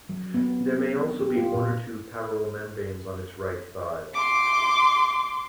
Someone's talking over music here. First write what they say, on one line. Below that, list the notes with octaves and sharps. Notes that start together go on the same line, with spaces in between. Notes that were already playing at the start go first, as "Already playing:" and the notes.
There may also be one or two paroral membranes on its right side.
F#3
B3
C4
D4
G4
F4
A#2
C6 D6